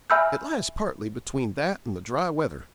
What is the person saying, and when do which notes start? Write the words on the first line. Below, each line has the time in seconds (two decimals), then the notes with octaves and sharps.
It lies partly between that and the dry weather.
0.10 E5 G#5 B5 E6 F6 G6